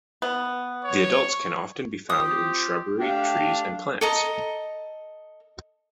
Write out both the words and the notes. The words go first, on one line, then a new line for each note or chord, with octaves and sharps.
The adults can often be found in shrubbery, trees, and plants.
B3
C#5
C4 F4 G4 D#6
A3 D4 G4 F5
A4 D#5 A#5